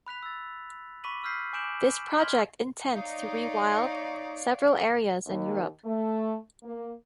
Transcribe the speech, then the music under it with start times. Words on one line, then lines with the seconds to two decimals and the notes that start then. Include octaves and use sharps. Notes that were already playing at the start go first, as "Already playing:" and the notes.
This project intents to rewild several areas in Europe.
0.07 B5 F#6 B6 F7
0.23 E6 A6
1.04 B5 C#6 D6 B6 D#7 F#7
1.24 E6 F6 G6 B6 C7
1.53 G#5 D6 G6 D7 E7 F#7
2.19 C6 F6 G#6 B6 F#7 G7
2.95 D#4 C#5 D5 F5
5.26 D#2
5.84 A3
6.62 A#3